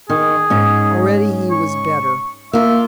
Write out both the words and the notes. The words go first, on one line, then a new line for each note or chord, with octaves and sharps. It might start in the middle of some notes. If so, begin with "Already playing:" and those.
Already he was better.
D#3 G#4
G#2 C#4
C#6
A#3 F4 E5